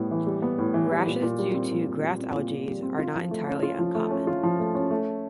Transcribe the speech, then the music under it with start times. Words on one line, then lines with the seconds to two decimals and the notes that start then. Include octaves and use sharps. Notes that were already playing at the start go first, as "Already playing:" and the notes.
Rashes due to grass allergies are not entirely uncommon.
Already playing: A2 G3 B3
0.11 E3
0.27 G3
0.42 B3
0.58 A2
0.74 E3
0.91 G3
1.06 A#2
1.22 A#2
1.39 G3
1.54 C4
1.71 A#2
1.87 A#2
2.03 G3
2.19 C4
2.34 A#2
2.51 A#2
2.67 G3
2.82 C4
2.99 F4
3.14 F3
3.31 A3
3.47 C#4
3.63 F4
3.79 F3
3.95 A3
4.11 C#4
4.27 F4
4.43 F3
4.59 A3
4.75 C#4
4.91 A3